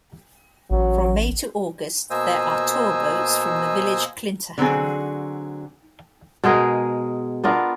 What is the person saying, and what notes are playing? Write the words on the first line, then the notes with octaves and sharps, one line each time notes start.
From May to August there are tour boats from the village Klintehamn.
A1 F#3
B2 A#3 C5 D#5 G#5 E6
D3 F#3 C4 F#4 G#4
B2 G#3 G#4 A#4
B3 D4 F4 A#4